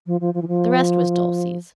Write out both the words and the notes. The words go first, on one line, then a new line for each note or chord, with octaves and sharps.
The rest was Dulcie's.
F3
F3
F3
E3
F3